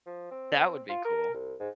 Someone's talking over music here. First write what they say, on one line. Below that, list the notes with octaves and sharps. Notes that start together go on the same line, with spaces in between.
That would be cool.
F3
C4
F4
A#4
C2
G#2